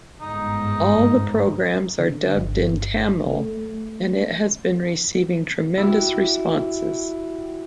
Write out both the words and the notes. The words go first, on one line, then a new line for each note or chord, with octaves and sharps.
All the programmes are dubbed in Tamil and it has been receiving tremendous responses.
G1 G#2 D#4
D3
G1
A3
E4 F#4 G4